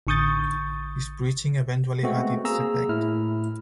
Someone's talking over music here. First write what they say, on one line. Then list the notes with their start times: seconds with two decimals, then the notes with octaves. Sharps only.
His preaching eventually had its effect.
0.07 A1 D3 C#6 D#6 G6 A6
2.03 G#3 A3 B3 C4 F#4
2.45 A#3 G#4 A#5 E6
2.89 A2 E4 F6